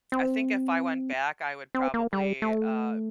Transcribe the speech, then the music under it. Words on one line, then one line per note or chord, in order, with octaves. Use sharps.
I think if I went back, I would probably, uh,
C4
C4
A#3
G3
A3